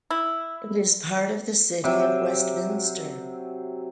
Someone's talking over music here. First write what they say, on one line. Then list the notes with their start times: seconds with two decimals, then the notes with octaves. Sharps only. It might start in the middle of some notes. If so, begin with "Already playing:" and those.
It is part of the City of Westminster.
0.11 E4
1.84 C3 F#3 E5 G5